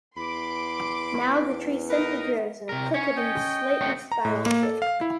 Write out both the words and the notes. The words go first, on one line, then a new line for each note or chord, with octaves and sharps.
Now the tree simply grows in a crooked and slightly spiral shape.
E2 B5 C6 D6 D7
D#4 A#4 B4
C3 A#4
C#4 C#5
D#5 G5
A3 C4 F#4
A#5
A2
A#3
A4
F5
E4